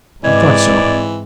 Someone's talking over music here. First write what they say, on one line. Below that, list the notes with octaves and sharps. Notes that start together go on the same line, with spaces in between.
I thought so.
G#2 E3 C4 B4 D5 D#5 G#6